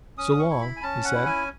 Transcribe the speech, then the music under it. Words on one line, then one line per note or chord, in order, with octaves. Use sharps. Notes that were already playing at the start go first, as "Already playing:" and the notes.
"So long," he said.
C#4 D#6
C#6
E4
B5
G#5
C#4 A5
F#5
E4
G#5